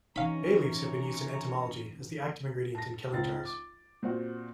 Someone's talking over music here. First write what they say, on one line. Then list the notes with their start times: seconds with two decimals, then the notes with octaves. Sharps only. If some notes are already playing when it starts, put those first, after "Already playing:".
Bay leaves have been used in entomology as the active ingredient in killing jars.
0.16 C3 E3 C#4 D#4 C#5 F5 A#5 B5
2.75 A5 A#6
3.12 C#2 C4 A6
3.45 D6
4.03 A#2 C4 F#4